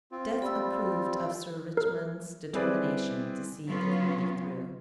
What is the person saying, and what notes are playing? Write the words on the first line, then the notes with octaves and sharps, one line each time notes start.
Death approved of Sir Richmond's determination to see the Committee through.
C4 F4
G3 B5 E6
A#4
G3 C4 E4 G#4 B4 D5
F#3 B3 C#4 F4